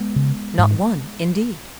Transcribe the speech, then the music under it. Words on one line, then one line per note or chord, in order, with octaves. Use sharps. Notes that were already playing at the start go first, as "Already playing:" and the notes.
"Not one, indeed."
Already playing: G#3 B3
C#3
G#2